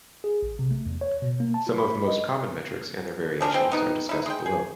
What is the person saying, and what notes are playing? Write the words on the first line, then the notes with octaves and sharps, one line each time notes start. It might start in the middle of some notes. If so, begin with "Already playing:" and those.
Some of the most common metrics and their variations are discussed below.
G#4
A1
C3
A3
E2
C#5
B2
A#3
A5
F4
B5
D#5
C#4 D4 E4 A#4
E3 G#3 C4 G5
B3 D#4 G4
D#4 E4
G#3 G5
G#4